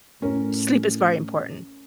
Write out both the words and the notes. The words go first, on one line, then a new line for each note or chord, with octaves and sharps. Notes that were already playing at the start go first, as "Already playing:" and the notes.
sleep is very important.
A2 C#4 A#4